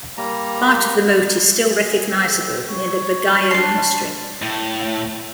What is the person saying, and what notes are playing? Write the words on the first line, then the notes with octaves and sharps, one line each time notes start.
Part of the moat is still recognizable near the Bagaya Monastery.
G3 A#3 A#5
G#4
C4
C#5
D4 C6
A2